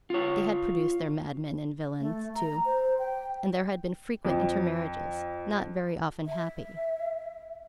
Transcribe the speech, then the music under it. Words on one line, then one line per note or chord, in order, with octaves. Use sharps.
They had produced their madmen and villains, too; and there had been frequent intermarriages--not very often happy.
F4 C#5
A3
A#5
C5
G5
F2
E5